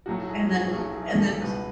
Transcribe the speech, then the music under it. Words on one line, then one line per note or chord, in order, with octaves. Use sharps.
And then and then
B1 A2 F#3 A3 F#4
G#4
G#4
B1 A2 F#3 A3
G#4
A4
C#2 B2 G#3 B4